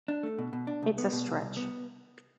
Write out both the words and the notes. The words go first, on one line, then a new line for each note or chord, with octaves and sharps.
It's a stretch.
D4
A3
B2
B2
D4
C2
B3
B2
C2
C2
B3